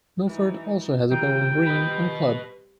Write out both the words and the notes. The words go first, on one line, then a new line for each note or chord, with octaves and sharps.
Milford also has a Bowling Green and club.
E3 D#4
D#3 G3 C4 F4 G5 A#5
B4 D#5